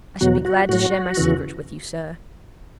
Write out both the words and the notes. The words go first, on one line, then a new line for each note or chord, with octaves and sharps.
I shall be glad to share my secret with you, sir.
E2 B2 F#3 F#4
F#4
A2 F#3 F#4
E2 C#3 E3